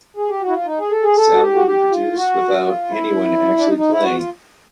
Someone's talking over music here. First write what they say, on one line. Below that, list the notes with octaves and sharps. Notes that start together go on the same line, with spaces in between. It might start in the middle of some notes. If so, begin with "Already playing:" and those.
Sound will be produced without anyone actually playing.
G#4
G4
F#4
E4
F4
D#4
G#4
A4
G#4
A4
F#4
G4
F#4
G4
F4
F#4
F4
E4
D4
D#4
D#4
E4
F#4
F4